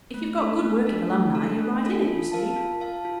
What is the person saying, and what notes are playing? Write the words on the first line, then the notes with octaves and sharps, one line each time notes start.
If you've got good working alumni, you're right in it, you see.
A3
D4 A4
A3
D4 A4
A3
D4 A4
A3
D4 A4
F4
A#4 F5 A5
F4
A#4 F5 A5
F4